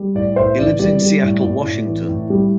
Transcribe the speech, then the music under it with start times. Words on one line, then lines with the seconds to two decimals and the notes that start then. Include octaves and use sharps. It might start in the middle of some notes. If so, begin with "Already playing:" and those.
He lives in Seattle, Washington.
Already playing: G3
0.15 A2 D5
0.36 A2 C5 E5
0.58 E3 D5
0.79 G3 D5
1.02 G3
1.23 A2
1.45 A2
1.65 A2
1.87 E3
2.09 A2
2.30 G3